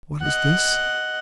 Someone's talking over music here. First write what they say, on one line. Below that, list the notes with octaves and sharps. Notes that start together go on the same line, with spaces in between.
"What is this?"
D#5 F#5